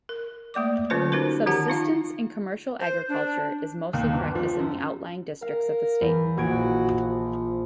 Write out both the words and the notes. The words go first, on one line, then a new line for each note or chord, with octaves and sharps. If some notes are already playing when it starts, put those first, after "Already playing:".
Subsistence and commercial agriculture is mostly practiced in the outlying districts of the state.
A#4
A3 A#3 D5 D6
D3 F#3 C#4 F4 B4 C5
C#4 D#4 F#4 A#4 C5
D#3 F3 G4 F#5 A5 A#5
D#4 F4 F5
C5
D4
D#2
G1
F3
F#2
A#4 F5
E2
A#1 F#4 G#6 D7
F3